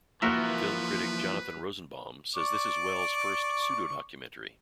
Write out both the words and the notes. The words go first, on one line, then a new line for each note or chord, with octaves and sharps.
Film critic Jonathan Rosenbaum says this is Welles' first pseudo-documentary.
E3 F3 A#3 F#4 A#4 B4 E5 F#6
D5 C#6 D6